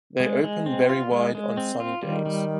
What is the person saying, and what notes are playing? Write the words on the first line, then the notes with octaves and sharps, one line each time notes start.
They open very wide on sunny days.
G#3
G#3
C4
F4
G#3
G#3
C4
F4
D#3 G3
G3